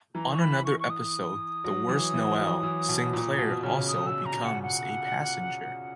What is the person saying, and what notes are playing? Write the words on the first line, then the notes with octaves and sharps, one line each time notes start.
On another episode, "The Worst Noel", Synclaire also becomes a passenger.
E3 A#5
C#6
B5
C#6
C#6
D#6
F#3
E3
E3
F#3
E3
B2
A#2
B2
C#3
D#6
E6
A#5
F#5
F#5